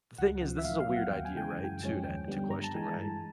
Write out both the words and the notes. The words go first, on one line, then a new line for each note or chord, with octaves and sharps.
the thing is, this is a weird idea, right? To that to question, right?
C#2 F#5
C#3 F3
E5
A2 F5
F5
F#3 B3
F#5
D#2 G5
G#5
C#3 E3 G#3 G5
G#5
F#2
G5
C#3 F3 G#3 C#4
D#2 G5
D3 G3 B3
G2 A#5
A5
E3 G#3 G#5
A5
G2